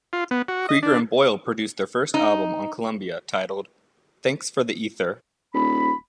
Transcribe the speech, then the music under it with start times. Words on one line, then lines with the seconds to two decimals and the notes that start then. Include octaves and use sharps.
Creager and Boyle produced their first album on Columbia titled "Thanks for the Ether".
0.13 F4
0.31 B3
0.48 F#4
0.69 D#5
0.83 D4
2.14 D#4
5.54 D#1 B5